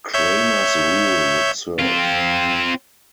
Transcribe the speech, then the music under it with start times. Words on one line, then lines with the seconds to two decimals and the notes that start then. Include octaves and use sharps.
Cramer's rule would serve.
0.13 C#5 E5 G6
1.79 C4 F4